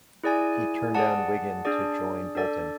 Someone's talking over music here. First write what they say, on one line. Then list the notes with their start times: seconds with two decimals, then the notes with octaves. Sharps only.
He turned down Wigan to join Bolton.
0.24 E4 G#4 D5 G#5
0.95 G#4 D5 F#5 A5
1.65 D4 G#4 D5
2.35 D4 A4 D5